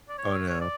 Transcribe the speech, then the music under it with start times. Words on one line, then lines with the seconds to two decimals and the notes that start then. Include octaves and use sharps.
Oh, no.
0.09 D5
0.18 C#5
0.49 C#5
0.61 D5